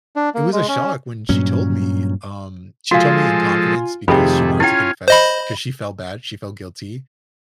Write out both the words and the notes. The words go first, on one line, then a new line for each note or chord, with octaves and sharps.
it was a shock when she told me, um, she told me in confidence because she wanted to confess, 'cause she felt bad, she felt guilty
D4
A#3
G#3
C#4
G2 A#2 F#3 C#4
F3 G#3 F4 F#4 A4 F5 G#5
F2 C3 D#3 A3 G4 G#4 B5
C#4 E4 F4 G5 F6 G#6
C5 D#5 B5